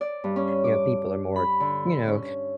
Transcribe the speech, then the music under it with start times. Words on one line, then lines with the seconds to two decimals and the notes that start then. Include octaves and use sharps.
You know, people are more, you know?
0.01 D5
0.24 G2
0.36 C#4
0.64 D6
1.36 B5
1.60 D3
2.08 C#4